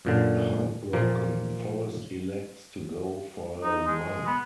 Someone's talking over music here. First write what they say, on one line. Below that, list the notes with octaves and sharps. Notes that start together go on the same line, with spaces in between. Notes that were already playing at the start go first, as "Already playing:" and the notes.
Heartbroken, Forrest elects to go for a run.
F#2 A#2 D3
A#2 F3 A#3
D#4
G#3
B3